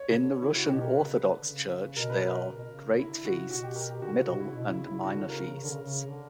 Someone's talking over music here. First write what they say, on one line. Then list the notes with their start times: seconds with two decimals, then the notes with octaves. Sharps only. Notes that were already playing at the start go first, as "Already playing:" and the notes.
In the Russian Orthodox Church they are: Great Feasts, middle, and minor feasts.
Already playing: C#5
0.10 C#3
0.18 D3
0.42 C#3 E4
0.56 F#4
0.68 B2 G4
0.81 A#4
0.94 C#3 B4
1.20 D3
1.45 C#3
1.97 B2 A#4
2.10 B4
2.22 B2 A#4
2.48 C#3
2.56 B2
2.64 C#3
2.99 D3 E4
3.24 C#3 F#4
3.51 B2 F#4
3.63 G4
3.76 A#4
3.89 G4
4.02 D3 F#4
4.13 C#3
4.25 B2 F#4
4.36 C#3 E4
4.52 B2 E4
4.69 C#3 E4
4.86 C#3 E4
5.03 C#3 F#4
5.14 D3
5.23 C#3
5.30 A#4
5.55 C#3
5.63 D3
5.70 C#3
5.81 C#3
6.06 D3